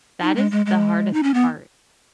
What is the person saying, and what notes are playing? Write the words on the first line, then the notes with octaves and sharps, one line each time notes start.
That is the hardest part.
D#4
G#3
G#3
G#3
D#4
C#4
B3